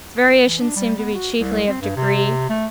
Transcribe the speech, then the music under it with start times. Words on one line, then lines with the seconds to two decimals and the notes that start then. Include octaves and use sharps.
Its variations seem to be chiefly of degree.
0.46 E3
0.60 D4
0.76 G3
0.98 B3
1.15 F#4
1.40 C2
1.68 C4
1.81 G2
1.97 C3
2.50 A3